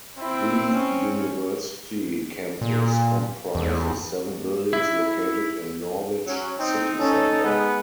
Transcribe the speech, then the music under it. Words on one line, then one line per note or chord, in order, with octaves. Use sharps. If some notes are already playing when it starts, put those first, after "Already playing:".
The university campus comprises seven buildings located in Norwich city centre.
C4 E4
C#4
A#2
E2
E4
F#3 C#4
C4 D#4
C#4 A4
G#3 B3